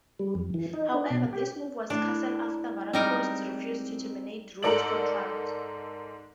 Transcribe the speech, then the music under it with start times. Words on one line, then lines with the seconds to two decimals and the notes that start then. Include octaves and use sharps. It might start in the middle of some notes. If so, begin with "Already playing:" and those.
However, this move was cancelled after Veracruz refused to terminate Ruiz's contract.
0.19 G3
0.35 F2
0.54 E3
0.73 D#4
0.94 D4
1.10 B2
1.33 G4
1.90 A2 D4
2.93 G3 G#3 C4 D#4 A#4
4.63 G#2 A4 A#4 D5 D7 F#7